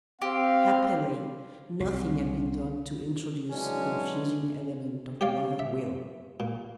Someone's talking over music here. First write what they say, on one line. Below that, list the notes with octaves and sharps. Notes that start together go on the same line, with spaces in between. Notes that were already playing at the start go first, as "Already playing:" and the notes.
Happily nothing had been done to introduce the confusing element of another will.
C4 G4 F5
C2
C#3 E3 F#3 G#3 C#4 D4
G4 C#5 D5 F5
E5
A#2